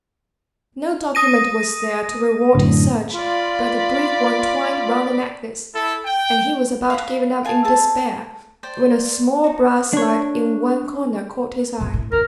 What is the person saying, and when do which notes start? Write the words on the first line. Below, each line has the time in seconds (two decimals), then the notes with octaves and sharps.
No document was there to reward his search, but the brief one twined round the necklace; and he was about giving up in despair, when a small brass slide in one corner caught his eye.
1.15 D#6 A#6 D#7
2.55 F#2 A2 D3
3.14 F4 D5 B5
5.74 E4 A4
6.05 G5
6.90 F5 F#5 B5
7.45 F5 G#5 A5 D#6
7.64 G#4 A4 A5 D#6
8.63 C5 D5 G5
9.44 D#4 F#4
9.93 D4 C#5
11.80 F2 B2
11.94 A2
12.12 D#2 A#4